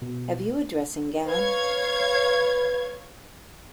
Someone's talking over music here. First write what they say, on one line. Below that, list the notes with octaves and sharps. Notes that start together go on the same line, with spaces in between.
Have you a dressing-gown?
B2
B4 C#5 F5 G#6